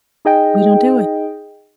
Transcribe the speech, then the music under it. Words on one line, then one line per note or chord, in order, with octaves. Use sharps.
We don't do it.
D#4 G#4 D#5 G5